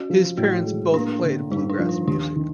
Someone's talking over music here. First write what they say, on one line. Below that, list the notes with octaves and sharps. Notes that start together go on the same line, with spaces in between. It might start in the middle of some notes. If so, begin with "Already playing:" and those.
His parents both played bluegrass music.
Already playing: C#4 F#4
F3
A2 F#4
G#3
A#3 D4
D3
G2 D#4
D4
F3
D4
D#2 D4
D#3